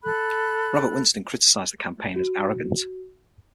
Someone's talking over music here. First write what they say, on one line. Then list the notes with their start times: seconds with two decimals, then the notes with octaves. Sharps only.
Robert Winston criticised the campaign as "arrogant".
0.03 A4 B5 F#6
2.16 F#4